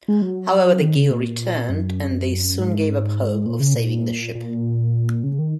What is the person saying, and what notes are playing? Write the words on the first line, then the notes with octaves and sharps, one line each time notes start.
However the gale returned and they soon gave up hope of saving the ship.
G#3
F#3
D#3
C#3
A#2
F#2
G#2
A#2
C#3
A#2
A#2
C#3
D#3